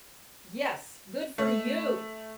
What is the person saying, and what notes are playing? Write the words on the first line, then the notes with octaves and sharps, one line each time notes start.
Yes, good for you
A3